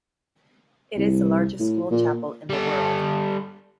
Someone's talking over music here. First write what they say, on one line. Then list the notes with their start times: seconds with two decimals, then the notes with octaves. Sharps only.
It is the largest school chapel in the world.
0.97 C2
1.60 A2
1.91 A#2
2.49 G3 A4